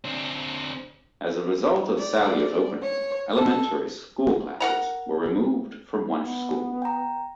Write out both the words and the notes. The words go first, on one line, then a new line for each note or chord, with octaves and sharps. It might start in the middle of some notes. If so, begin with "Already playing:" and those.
As a result of Salyers opening, elementary school classes were removed from Wunsche School.
D3 C4
D5
C#5
A4
A#4 F#5 A#5
B3
G5 A#5